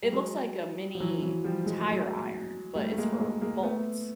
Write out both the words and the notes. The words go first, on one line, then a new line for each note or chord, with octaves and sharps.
It looks like a mini tire iron, but it's for bolts.
G3
F#3 G#3
F3
E3 F#3
E3 F#3
F3 G3
G#3
A3
F#3 G#3
G3 A3
A3
G#3 A#3
G#3 A#3
G#3 A#3
A3 B3